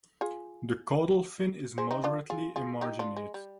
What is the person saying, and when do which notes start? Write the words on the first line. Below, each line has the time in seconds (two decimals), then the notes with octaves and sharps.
The caudal fin is moderately emarginate.
0.21 F4 G#4
1.78 G#4 C5
1.91 C4 D#4
2.04 D4 F4
2.30 F4 G#4
2.56 F4 G#4
2.81 D#4 G4
2.99 D4 F4
3.17 G#3
3.34 G3